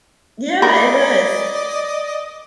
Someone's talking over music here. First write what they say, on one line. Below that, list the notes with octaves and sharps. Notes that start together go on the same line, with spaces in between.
Yeah, it was.
A#4 D5 D#5 B5